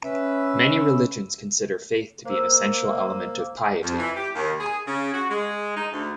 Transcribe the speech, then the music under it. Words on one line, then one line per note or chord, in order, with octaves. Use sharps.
Many religions consider faith to be an essential element of piety.
C#4 B4 E5
A#3 C5 E6
F2
E3
G4
D#2
G#4
C#3
F#4
G#3
D#4
D2